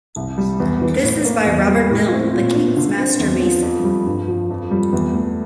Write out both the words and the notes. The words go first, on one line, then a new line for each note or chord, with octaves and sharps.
This is by Robert Mylne the King's Master Mason.
C2
G3
E2
E3
A2
A#3
E2
G3
A2
C4
A#2
D4
D3
C4
E2
F3
F2
G3
G2
F3
F2
G3
E2
A3